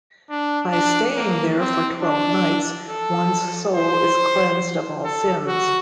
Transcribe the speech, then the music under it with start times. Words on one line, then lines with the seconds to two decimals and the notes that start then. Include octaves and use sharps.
By staying there for twelve nights, one's soul is cleansed of all sins.
0.30 D4
0.72 D4
1.16 A#3
1.59 C4
2.02 D4
2.89 A4
3.75 C5
5.05 A4
5.48 F#4